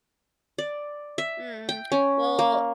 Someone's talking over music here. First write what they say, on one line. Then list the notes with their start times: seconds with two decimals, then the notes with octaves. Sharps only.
Mm, well,
0.58 D5
1.18 E5
1.69 G5
1.92 C#4
2.39 A#3